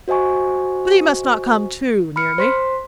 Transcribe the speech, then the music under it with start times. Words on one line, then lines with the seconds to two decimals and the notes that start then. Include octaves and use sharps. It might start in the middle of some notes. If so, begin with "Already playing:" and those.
But he must not come too near me!'
0.08 F#4 C5 D#5 G#5 C#6
2.16 B5 F6 C#7
2.38 C5 C6 B6